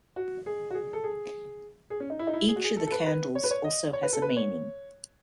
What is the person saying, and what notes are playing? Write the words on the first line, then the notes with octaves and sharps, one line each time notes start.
Each of the candles also has a meaning.
F#4
G#4
F#4
G#4
A4
G#4
G#4
C#4
D#4
E4
D#4
E4
G#4
F#4
G#4
A4
A4
B4
B4
C#5
B4
C#5
D#5
C#5
B4
A4
B4
C#5